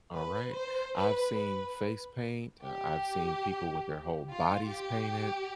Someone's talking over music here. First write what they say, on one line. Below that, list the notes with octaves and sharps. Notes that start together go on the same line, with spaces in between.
alright? I've seen face paint, uh, I've seen people with their whole bodies painted.
B4
C5
B4
B4
G4
F4
G4